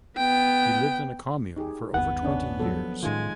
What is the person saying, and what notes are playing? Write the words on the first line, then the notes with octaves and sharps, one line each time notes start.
He lived in a commune for over twenty years.
B3 G5
D#4 G4 G#4
G1 D#2 B3 F#5
C#4 D4 C#5
F3 F#3 A4
A2 D#3 G#3 C#4 F4 G#5